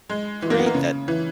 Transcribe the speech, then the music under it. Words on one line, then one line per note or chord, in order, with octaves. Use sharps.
great that,
G#3
E3
A#3
B3
A#3
C#3
E3